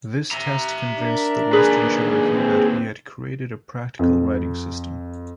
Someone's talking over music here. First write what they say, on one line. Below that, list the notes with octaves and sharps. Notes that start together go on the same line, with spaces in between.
This test convinced the western Cherokee that he had created a practical writing system.
E5 A#5
D4 A#4
D#2 G#4 B4
C4
F2